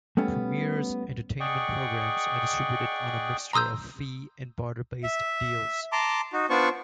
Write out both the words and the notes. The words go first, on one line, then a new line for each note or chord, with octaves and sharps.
Premiere's entertainment programs are distributed on a mixture of fee and barter based deals.
G3 A3 B3 C#4
G#4 D5 D#5 F#5 G5 C#6
A#5 C6 D#6 E6 G6
E5
A5 A#5 C6 D6
D#4 F#4
B3 D4 F4 C5 D5 C#6